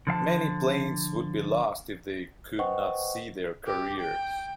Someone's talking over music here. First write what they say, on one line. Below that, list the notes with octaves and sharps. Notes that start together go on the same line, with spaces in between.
Many planes would be lost if they could not see their carriers.
D3 F3 F5 A5
B4 C5 D#5 F#5 G5 C#6
G4
G5